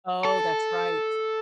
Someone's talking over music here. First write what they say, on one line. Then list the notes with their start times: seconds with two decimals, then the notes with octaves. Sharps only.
Oh, that's right.
0.25 A4